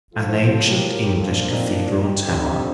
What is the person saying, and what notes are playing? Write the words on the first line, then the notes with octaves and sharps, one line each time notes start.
An ancient English Cathedral Tower?
F3 F4 A4
A2
A4 C5
A4 C5
A4 C5
G4 A#4
G4 A#4
A#2 F3 F4 A4
D4 F4
C4 D#4
A#3 D4
G3 A#3
D#4 G4
F2 D3 F3 D#4 G4
D#4 G4